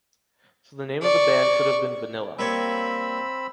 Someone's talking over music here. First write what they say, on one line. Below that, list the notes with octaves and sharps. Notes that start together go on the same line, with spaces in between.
So the name of the band could have been Vanilla.
D5 C#6
G3 A#3 C4 C#5 B5 E6